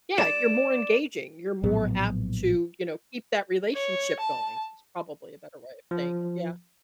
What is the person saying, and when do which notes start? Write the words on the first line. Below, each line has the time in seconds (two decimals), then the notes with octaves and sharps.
yeah, you're more engaging, you're more apt to, you know, keep that relationship going- is probably a better way of saying it, yeah.
0.18 D5 E7
1.64 A#1 A2 F#3 B3
3.75 C#5
4.20 A5
5.91 F3